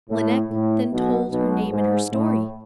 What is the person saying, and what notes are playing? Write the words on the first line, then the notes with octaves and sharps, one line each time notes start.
Lineik then told her name and her story.
A2
A2
B1 B2
B1 B2
G#2
A2